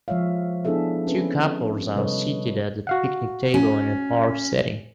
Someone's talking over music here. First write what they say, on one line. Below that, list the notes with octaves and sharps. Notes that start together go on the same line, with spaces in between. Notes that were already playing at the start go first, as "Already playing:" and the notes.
Two couples are seated at a picnic table in a park setting.
F3 G#3 C#5 E5 F5
B3 D4 E4 G#4 A4 E5
C4 C#4 G#4 B4
C3 G3 A4 B4 C#5 D#5
F#4 F5 F#5
C#4